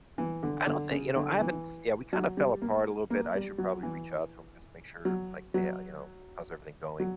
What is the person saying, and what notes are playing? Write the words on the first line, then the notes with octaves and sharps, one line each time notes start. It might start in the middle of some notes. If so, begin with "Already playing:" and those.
I don't thi you know, I haven't Yeah, we kinda fell apart a little bit, I should probably reach out to him just to make sure, like, "Hey, uh, you know, how's everything going?"
E3
D3
D3
C#3
D3
E3
F#3
G3
A#3
A#3
G3
F#3
E3
F#3
F#3
F#3